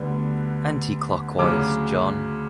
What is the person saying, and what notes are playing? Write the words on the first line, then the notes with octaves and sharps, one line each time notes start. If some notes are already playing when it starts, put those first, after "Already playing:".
Anti-clockwise, John.
Already playing: D2 D3 G3 B3
D2 C#3 F#3 D6